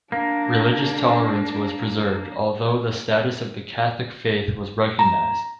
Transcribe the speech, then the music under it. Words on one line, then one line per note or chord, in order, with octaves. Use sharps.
Religious tolerance was preserved, although the status of the Catholic faith was recognized.
A#3 D4
A#5